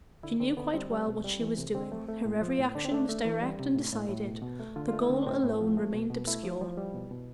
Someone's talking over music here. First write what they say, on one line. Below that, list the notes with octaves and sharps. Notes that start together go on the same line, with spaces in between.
She knew quite well what she was doing, her every action was direct and decided, the goal alone remained obscure.
D3 E4
D3 C4
D3 B3
G3 C4
G3
B2
G3
E3
C3
D3 C4
A3
A3
A2
F3
A2
D3 D4
C4
A3 D4
A3
E3
G3
C3
A2
A2
A2
B2
B2
A3
D3 F4
F4
A3
E4
D3 C4
D4
A2 C4
A2
F3
A3
B2
B2
A3 E4
F3
F3
G3
B2
B2